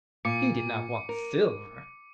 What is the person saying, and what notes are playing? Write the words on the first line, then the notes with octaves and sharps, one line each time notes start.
He did not want silver.
A#2 D6 C#7
A#4